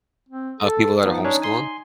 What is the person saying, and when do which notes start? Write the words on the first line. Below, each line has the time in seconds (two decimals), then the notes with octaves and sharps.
Of people that are homeschooling?
0.29 C4
0.61 A4
1.04 F3 B3 D#4
1.25 C#4 D4 C#5
1.42 G#5 C6